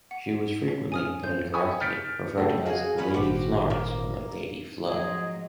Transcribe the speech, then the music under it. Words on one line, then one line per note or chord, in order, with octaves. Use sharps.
She was frequently, but incorrectly, referred to as "Lady Florence" or "Lady Flo".
F#5
C#4
G#5 D#6 F6
C#4 C5 G6
G5 G#5 B5 C#6 D#6
F6 G6 A6 B6 C#7 D7
C#3 A3 A4 F#5 G5
F#4 G#4 F5 G#5
C#4 E4 B4
G#1 A#2 F#4 G4 C5
A#3
G#2 F3 F#3 G#3 G#4 D#5